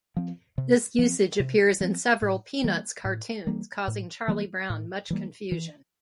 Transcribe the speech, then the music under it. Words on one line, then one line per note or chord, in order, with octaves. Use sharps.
This usage appears in several "Peanuts" cartoons, causing Charlie Brown much confusion.
F3 C4
C3
F3 C4
C3
F3 C4
A2
E3 G3 A#3
A2
E3 G3 A#3
A2
E3 G3 A#3
A2
E3 G3 A#3
E3